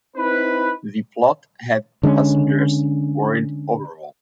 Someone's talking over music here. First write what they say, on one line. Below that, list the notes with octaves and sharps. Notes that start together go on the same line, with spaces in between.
The plot had passengers worried overall.
C4 D#4 E4 B4
D3 G#3 B3 C#4